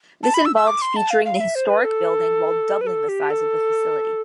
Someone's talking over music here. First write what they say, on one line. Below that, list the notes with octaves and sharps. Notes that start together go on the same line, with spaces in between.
This involved featuring the historic building while doubling the size of the facility.
A5
B5
E6
E6
D6
C6
A5
F5
F5
E5
C5
B4
A4
B4
A4
G4
A4